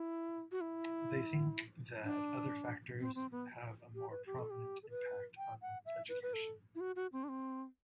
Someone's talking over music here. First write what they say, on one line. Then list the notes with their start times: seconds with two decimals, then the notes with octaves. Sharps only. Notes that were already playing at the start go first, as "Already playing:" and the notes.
They think that other factors have a more prominent impact on one's education.
Already playing: E4
0.52 F#4
0.61 E4
2.04 D4
3.00 C4
3.15 C4
3.32 B3
3.95 G4
4.11 B4
4.26 G4
4.39 A4
4.51 G4
4.83 A4
4.90 B4
5.37 G5
5.62 F#5
5.86 E5
6.09 B4
6.23 B4
6.34 A4
6.75 E4
6.80 F#4
6.96 F#4
7.12 C4
7.24 D4
7.29 C4